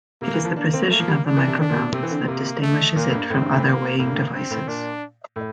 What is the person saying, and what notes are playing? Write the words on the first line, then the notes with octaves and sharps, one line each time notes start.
It is the precision of the microbalance that distinguishes it from other weighing devices.
C3 A#3
E3
F3
A#3 D4
C4
A3 A#3
F3
G3
D4
E3
C3
D3 D4
A#2
C3
C3 C4
E3
D3
C3 A#3
A3
A#2 A#3
A2
G2
A2 C4
G2
A2
A#3
A2 A#3
G2
A2
G2 C4
A2
A#2 D4
A2